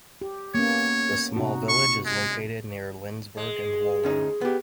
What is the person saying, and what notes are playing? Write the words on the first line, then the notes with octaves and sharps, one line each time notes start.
The small village is located near Lenzburg and Wohlen.
G4
A#3 B3 C#4 C#5
C3 D#4 F#4
C#6
G#3
G#3
D2 C#4 D#4
B3 G4